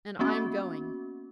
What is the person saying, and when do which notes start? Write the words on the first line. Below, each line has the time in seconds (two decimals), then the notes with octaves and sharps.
And I am going.
0.19 A#3 B3 C#4 F#4